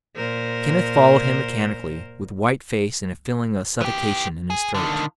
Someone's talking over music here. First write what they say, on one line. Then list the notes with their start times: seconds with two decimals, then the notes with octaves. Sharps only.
Kenneth followed him mechanically, with white face and a feeling of suffocation in his throat.
0.16 A#2 A#4 C5
3.81 E3 G4
4.50 G#4
4.74 D3 D#3